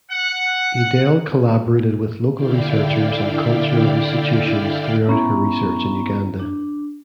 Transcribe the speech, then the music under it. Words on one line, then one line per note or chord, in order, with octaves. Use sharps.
Edel collaborated with local researchers and cultural institutions throughout her research in Uganda.
F#5
D3 E4 D5 F5 G5
B3 C#4 E4 A#5 C#6
D4